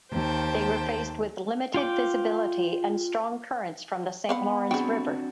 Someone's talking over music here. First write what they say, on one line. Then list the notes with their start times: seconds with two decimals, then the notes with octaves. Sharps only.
They were faced with limited visibility and strong currents from the Saint Lawrence River.
0.11 D#2 C5 G5 A5
1.74 F4 G5 D6
4.29 B3 C4 F5 F#5
4.71 C4 D4 F#4 G#4 G5